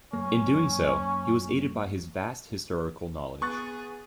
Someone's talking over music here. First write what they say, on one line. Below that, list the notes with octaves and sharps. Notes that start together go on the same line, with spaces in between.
In doing so, he was aided by his vast historical knowledge.
F#2 A#3 C#4
B3 G#4 C#6 F#6 A6